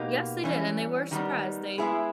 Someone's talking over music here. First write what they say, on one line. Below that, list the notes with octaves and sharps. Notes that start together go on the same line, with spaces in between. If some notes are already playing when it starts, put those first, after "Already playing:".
Yes, they did and they were surprised. They
Already playing: B2 A#3 D#4 G4
E3 G3 C#4
D#3 G3 B3 D#4
G#3 B3 E4 G#4 B4